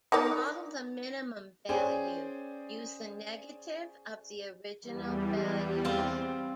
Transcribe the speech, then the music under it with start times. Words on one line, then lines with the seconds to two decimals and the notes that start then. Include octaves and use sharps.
To model the minimum value, use the negative of the original values.
0.12 D#4 A#4 D5
1.69 C#4 G#4 C5 D5 G5 G#5
4.82 E2 G3
5.85 C4 F4